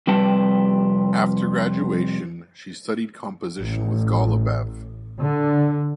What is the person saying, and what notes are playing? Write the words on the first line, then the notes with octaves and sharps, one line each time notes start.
After graduation, she studied composition with Golubev.
F2 C3 G3 B4 G5 A5
A1
D3